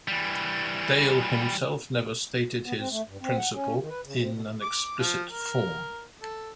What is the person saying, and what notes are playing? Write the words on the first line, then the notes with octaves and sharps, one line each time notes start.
Dale himself never stated his "principle" in an explicit form.
E3 G3
B3
C4
A3
G2
C4
F#5
C#4
D#3
B4
C#3
C3
B2
D6
F3
A#4
A4